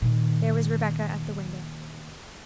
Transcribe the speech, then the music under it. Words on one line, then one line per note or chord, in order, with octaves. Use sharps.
There was Rebecca at the window.
A#2 D#3